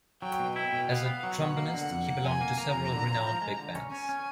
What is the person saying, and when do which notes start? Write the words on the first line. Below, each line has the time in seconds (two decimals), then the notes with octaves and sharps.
As a trombonist, he belonged to several renowned big bands.
0.22 F#3 G5
0.39 B2
0.56 E4 G5
0.73 B2
0.90 B3 F5
1.06 B3
1.23 F#3 F#5
1.40 B2
1.57 A#3
1.74 D3
1.90 F2
2.07 A#3
2.24 F2 G#5
2.41 A#3
2.57 A#3 A#5
2.74 F2
2.91 D3
3.07 F3
3.25 F3
3.41 G#3
3.58 D3
3.75 C#4
3.92 C#4 G#5
4.09 C#4